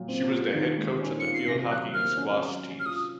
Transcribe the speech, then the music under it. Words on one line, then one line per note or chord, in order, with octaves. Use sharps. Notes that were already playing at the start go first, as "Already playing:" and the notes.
She was the head coach of the field hockey and squash teams.
Already playing: A#2 F#3
C4
F4
D#3
G#3
C#4
F4 C#7
C7
C3 A#6
F#3 F#6
A#3 F6
C#4
F#3
C#4
F6
F4 D#6